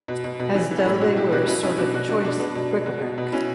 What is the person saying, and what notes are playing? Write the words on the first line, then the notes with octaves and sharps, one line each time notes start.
As though they were a sort of choice bric-a-brac.
B2
B2
B2
E3
E3
C#4 E4
A2
B2 D4 F#4
B2 E4 G4
B2 D4 F#4
B2 C#4 E4
B2 C#4 E4
B2 D4 F#4
B2 D4 F#4
B2 D4 F#4
B2 D4 F#4
B2 B3 D4
B2
B2
B2
B2
B2
B2 C#4 E4